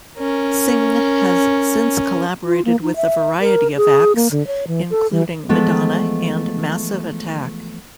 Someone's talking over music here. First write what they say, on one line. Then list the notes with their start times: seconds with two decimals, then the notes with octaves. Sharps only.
Singh has since collaborated with a variety of acts including Madonna and Massive Attack.
0.18 C#4 A#4
2.44 F4
2.65 A#3
2.82 D#4
2.96 E5
3.40 A#4
3.77 G#4
4.16 A#3
4.31 D3
4.47 C#5
4.67 E3
4.91 A4
5.12 E3
5.49 E3 F3 G#3 A3 B3